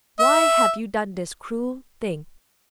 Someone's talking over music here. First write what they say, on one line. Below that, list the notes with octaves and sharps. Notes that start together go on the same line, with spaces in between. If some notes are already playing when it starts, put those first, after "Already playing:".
"Why have you done this cruel thing?"
E5